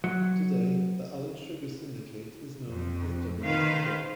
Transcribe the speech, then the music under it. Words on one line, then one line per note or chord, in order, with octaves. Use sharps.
Today, the Allen sugar syndicate is known as Domino Sugar.
F#3
F2
D#3 B4 C5 F5